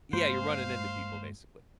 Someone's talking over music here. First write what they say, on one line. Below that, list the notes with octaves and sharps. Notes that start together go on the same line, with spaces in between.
Yeah, you're running into people, basically.
G2 G#3 A#3 C5 F5